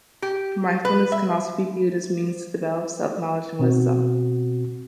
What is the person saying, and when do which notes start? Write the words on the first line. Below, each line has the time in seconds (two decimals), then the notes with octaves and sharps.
Mindfulness can also be viewed as a means to develop self-knowledge and wisdom.
0.22 G4
0.85 B4
1.12 E5
3.59 B2 C4 F#4